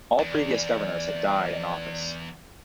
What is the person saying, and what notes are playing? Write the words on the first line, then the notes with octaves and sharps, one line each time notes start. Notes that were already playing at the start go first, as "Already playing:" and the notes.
All previous governors had died in office.
E2 D5